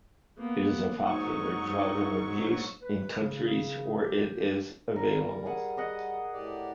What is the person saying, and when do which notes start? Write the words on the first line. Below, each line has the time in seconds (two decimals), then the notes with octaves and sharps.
It is a popular drug of abuse in countries where it is available.
0.37 A#3 B3
1.06 G#2 F#3 D#4 C#6
2.82 B4
3.19 C#3
3.99 G4
4.96 G3 A#4
5.46 G#4 F#5
5.77 G#4 D#5 F#5
6.33 A2 G4 D5